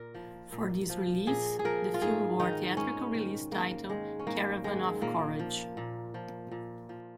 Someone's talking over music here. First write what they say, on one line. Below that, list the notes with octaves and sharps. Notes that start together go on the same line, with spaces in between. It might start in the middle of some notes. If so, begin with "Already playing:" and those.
For this release, the film bore theatrical release title, "Caravan of Courage".
Already playing: A#2 A#4
F3
A#2
F3
A#2 G#4
G#4
F3 A#4
F4
G#2 G#4
D#3 D#4
G#2 C#4
D#3
G#2 A#3
D#3 G#3
C#4
G#2 A#3
D#3 G#3
A#2 A#3
F3
A#2
F3
A#2
F3